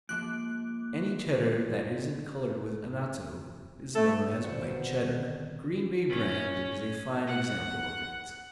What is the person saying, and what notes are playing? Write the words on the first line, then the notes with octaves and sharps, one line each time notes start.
Any Cheddar that isn't colored with anatto is known as White Cheddar. Green Bay brand is a fine example of it.
G#2 F3 A#3 D6 F#6 D7
A3 A4
A#1 B2 D3 D#3 G3 C4 C5 F#5
C#4
F#5